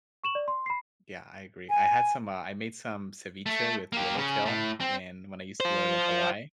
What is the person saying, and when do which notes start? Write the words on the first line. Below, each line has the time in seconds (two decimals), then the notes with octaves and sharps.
Yeah, I agree. I had some uh, I made some ceviche with yellowtail in when I used to live in Hawaii,
0.24 C#6 E7 F#7
0.35 D5
0.48 C6
0.66 B5 C7
1.69 G#5
3.46 A3
3.92 A#3 G4
4.16 C#3 C#4
4.46 A2 A3
4.80 C4
5.60 F4 C5